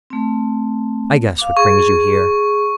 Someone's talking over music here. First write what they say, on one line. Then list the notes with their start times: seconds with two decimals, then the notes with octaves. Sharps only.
'I guess what brings you here.'
0.10 A3 C4
1.38 F5 D6
1.57 G#4 C#6